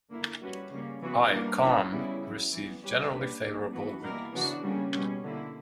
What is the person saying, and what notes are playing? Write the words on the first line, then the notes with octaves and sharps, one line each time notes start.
"I Com" received generally favorable reviews.
D3 A#3 E4 A#4
G3 C#4 F#4 B4
C#3 G3 A#3 C#4
C#3 E3 B3 F#4 B4
E3 G3 A#3 D4 A#4
F#3 C#4 E4
C#3 G3 B3 E4
F#3 B3 E4
E3 G3 B3
G3 C#4 G4 B4
A#3 D4 G4 B4
G3 A#3 D4
E3 B3 F#4 B4
B2 G3 A#3 E4 A#4
C#3 E3 B3 D4 F#4
C#3 G3 A#3 C#4
B2 G3 C#4
D3 A#3 E4